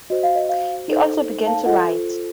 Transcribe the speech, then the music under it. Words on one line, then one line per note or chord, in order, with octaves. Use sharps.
He also began to write.
F#4 C5 D#5
F5
D#5
F5
D#4 A4 C5
F5 A5
F4 A4 C5 D#5 F#5